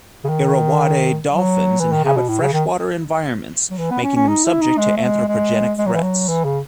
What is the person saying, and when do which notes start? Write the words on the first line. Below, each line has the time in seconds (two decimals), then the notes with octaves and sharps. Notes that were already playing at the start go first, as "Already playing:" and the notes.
Irrawaddy dolphins inhabit freshwater environments making them subject to anthropogenic threats.
0.24 C#3
0.29 D#3
1.28 F#3
1.80 E3
1.92 D#3
2.04 C#3
2.16 B2
2.28 A2
2.41 C#3
2.53 D#3
3.70 F#3
3.78 E3
3.91 B3
4.03 C#4
4.16 C#4
4.28 D#4
4.45 E4
4.61 D#4
4.78 G#3
4.96 A3
5.03 G#3
5.28 G#3
5.78 G#3
5.86 F#3
5.94 E3
6.02 F#3
6.28 E3
6.44 C#3